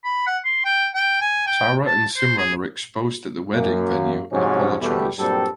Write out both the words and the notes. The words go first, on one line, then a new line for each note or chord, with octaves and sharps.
Tara and Simran are exposed at the wedding venue and apologize.
B5
F#5
C6
G5
G5
G#5
G5
A5
C5
G#4
F#2 A#3
G#2 C3 F3 F#3 C#4
E2 B2 G3 A3 G4 B4
G2 A#2 F#3 G3 C4 A4